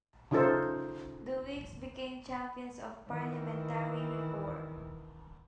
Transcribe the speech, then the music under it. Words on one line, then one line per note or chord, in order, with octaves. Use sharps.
The Whigs became champions of Parliamentary reform.
C#3 D#4 F4 A4 C5
D#3 E3